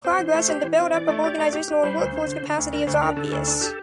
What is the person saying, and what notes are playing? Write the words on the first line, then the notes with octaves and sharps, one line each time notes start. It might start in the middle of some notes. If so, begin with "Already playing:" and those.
Progress in the build-up of organizational and workforce capacity is obvious.
C4 C5
E3
A3
G4
E3
C4
E3 D5
A3
G4
A3
G4
G4
G3 C5
D2
D3
D3
D3
D2
D3 A#4
D2 C5
D4 A#4
D3 A4
D2
D4
G4